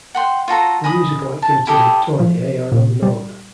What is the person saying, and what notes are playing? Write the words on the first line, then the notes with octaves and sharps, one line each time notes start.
The musical activities of Tournier are unknown.
F#5 G5 C6
F4 F#4 A4 A#5
D#5 G#5 B5 D#6
A5
E4 G4 A4 D#5
F3
A#2
G3